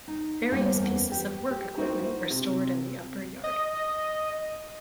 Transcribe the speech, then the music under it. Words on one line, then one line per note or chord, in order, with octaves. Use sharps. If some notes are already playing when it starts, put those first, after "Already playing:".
Various pieces of work equipment were stored in the upper yard.
D#4
G3 A#3 B3 C#4 C5 C#5
E2 E3 A#4
G4
G4
D#4 E4 F#4 A#4 C5
C3
D#5